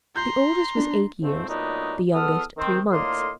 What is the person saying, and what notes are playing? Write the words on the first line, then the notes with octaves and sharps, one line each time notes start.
The oldest was eight years, the youngest three months.
A#5 C6 G6
D4
G#2 F3 A3 C4
A#2 F#3 A3 B3 D4 D#4
E2 B3 A4 D#6 F6
D#3 C4
A2 D3 A#3 F4 D#5 C6